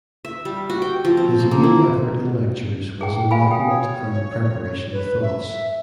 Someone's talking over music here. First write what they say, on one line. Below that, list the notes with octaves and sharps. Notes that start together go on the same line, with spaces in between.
His main effort in lectures was enlightenment and preparation of thoughts.
E5
G3
F#4
G5
F3
C4
A#3
A#3
E4
G#4 G5
F5 G#5 B5
G5 D#6
C#5
B4
E5